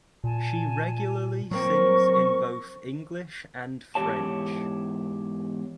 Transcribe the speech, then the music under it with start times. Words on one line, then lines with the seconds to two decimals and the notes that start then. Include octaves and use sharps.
She regularly sings in both English and French.
0.24 A#2 G#5 A5
1.51 F3 F#3 A#3 C4 A#4 C#6
3.95 E2 G#2 E3 G4 C#5 A5